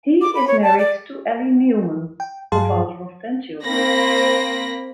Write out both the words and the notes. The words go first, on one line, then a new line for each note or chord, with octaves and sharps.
He is married to Ali Neeleman the father of ten children.
D6
B5
C#5
A5
D5
G5
G2 F#3 G#4 F5 A5 C6
A#3 C4 B5 A#6